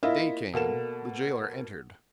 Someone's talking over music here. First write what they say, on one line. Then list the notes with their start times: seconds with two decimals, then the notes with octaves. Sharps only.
Day came, the jailer entered.
0.03 A#3 E4 F4 D#5 E5
0.54 B2 A#3 A4 E7